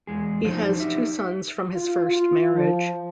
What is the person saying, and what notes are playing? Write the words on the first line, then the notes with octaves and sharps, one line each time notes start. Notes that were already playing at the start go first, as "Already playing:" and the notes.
He has two sons from his first marriage.
E2 G#3 G#4
F3 F#3 D4 D#4 C5
D#4 G4 E5
F4
F4
F3